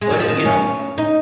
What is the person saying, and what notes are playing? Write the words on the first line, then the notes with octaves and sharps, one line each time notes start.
But, you know,
G#3
F#3
F3
D#3
C#4
D#4